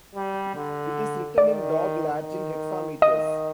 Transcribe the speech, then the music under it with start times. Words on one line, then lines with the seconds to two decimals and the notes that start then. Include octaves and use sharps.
It is written in Dog Latin hexameters.
0.15 G3
0.56 D3
1.38 D#3 D5
2.20 D#3
3.02 D#3 D#5